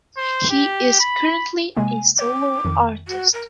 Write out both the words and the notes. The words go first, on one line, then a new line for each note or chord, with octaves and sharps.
He is currently a solo artist.
C5
G4
B5
C3 G#3 A#3 G#5
C#5 D6
F2 D#3
F#4
A#4